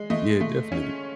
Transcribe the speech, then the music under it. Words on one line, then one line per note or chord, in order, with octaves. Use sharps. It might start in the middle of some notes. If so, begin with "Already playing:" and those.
Yeah. Definitely.
Already playing: G#3
A3 D#5
A3
C#4